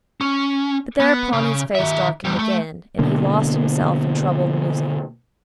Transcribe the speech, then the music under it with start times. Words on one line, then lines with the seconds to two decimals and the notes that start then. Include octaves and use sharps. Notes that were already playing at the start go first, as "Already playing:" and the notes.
But thereupon his face darkened again, and he lost himself in troubled musing.
0.21 C#4
1.00 B3 B4
1.33 C#3
1.75 D#3 E5
2.25 E2 G3
2.39 A3
2.99 B2 D3 A#3